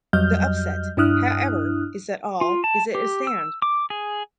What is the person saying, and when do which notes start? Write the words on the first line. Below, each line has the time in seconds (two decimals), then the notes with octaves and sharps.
The upset, however, is that all is at a stand.
0.13 F2 F#3 G3 D#5 F6 G6
0.97 G2 D4 E4 D#6 F6 F#6
2.41 F4
2.64 A5
2.95 G4
3.27 E6
3.62 D6
3.90 G#4